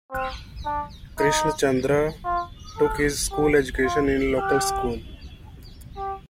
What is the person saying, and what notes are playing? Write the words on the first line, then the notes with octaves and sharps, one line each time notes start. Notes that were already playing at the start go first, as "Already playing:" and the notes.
Krishnachandra took his school education in a local school.
C4
D4
D#4
F4
A4
G4
F4
G4
G4